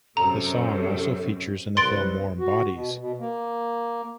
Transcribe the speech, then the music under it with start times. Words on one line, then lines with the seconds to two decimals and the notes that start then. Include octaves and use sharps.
The song also features in the film "Warm Bodies".
0.17 F#2 C3 A4 A#5
1.77 C2 B4 C6 A6 D7
2.39 F#4
2.73 B2
2.98 B2
3.19 A#3